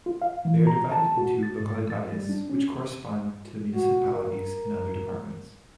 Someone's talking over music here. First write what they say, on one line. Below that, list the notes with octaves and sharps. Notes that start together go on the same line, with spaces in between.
They are divided into "localidades", which correspond to the municipalities in other departments.
F4
F5
E3
A#5
A5
F#4
A6
G#2
A6
G3
D4
C#4
F#4
A#4